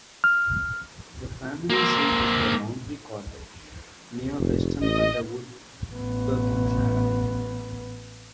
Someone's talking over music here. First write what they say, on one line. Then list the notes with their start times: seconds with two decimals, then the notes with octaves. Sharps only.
The family seat is The Laundry Cottage, near Weston Underwood, Buckinghamshire.
0.24 F6
1.70 A#3 C4
4.39 F1
4.80 A1 D#5
5.93 A1 B3